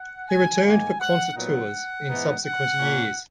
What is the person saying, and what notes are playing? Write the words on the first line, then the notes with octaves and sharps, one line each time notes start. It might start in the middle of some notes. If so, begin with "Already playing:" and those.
He returned for concert tours in subsequent years.
Already playing: F#5
G#5
G#2 D#3 A#3 G#5
F#5
A#2 F#3 B3 D#4 F#5
G#2 E3 B3 D#4
F#5
A#2 A#3 C#4